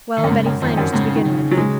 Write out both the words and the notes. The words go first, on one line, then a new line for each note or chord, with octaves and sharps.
Well, Betty Flanders, to begin with.
D#3
F#2
G#2 C#3
F#2
F2 D#3
F#2
G#2 C#3
D#3
C#3
F#3
G#3